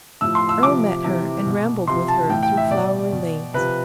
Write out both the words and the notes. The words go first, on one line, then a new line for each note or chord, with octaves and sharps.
Earle met her and rambled with her through flowery lanes.
A2 F3 E6
C6
E6
C3 F3 D6
C3 E3
B2
C3 F3 C6
A5
A2 E3 G5
G5
E5
B2 D5
B2
C3 F3 B4